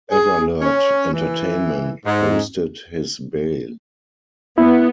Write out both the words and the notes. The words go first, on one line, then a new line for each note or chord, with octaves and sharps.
Everlert Entertainment posted his bail.
G#4
C#4
E3
G#2
B3 E4